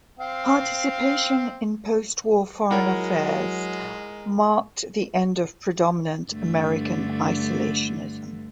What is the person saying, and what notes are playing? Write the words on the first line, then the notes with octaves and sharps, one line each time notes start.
Participation in postwar foreign affairs marked the end of predominant American isolationism.
C4 F5
F#3 G#3 E4 F4 A#4 C#5 F#5
G2 D3 A3